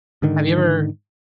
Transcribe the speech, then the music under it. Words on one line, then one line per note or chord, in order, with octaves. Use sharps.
Have you ever
G#2 D3 D#3